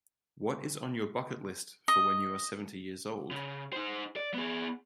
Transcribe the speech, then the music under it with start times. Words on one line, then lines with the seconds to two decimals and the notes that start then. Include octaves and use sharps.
What is on your bucket list for when you are seventy years old?
1.88 D#5
3.31 C#3
3.73 D#4 C5
4.16 D5
4.34 B3 G#4